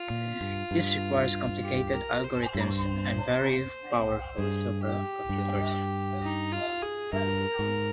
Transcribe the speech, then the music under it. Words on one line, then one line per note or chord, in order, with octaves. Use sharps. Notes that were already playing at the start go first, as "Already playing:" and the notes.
This requires complicated algorithms and very powerful supercomputers.
Already playing: F4
A#2
G2
G2
G4
A#4
C5
G2
G2 G#4
G4
G2
D#4
F4
G#4
G2 A#4
G#2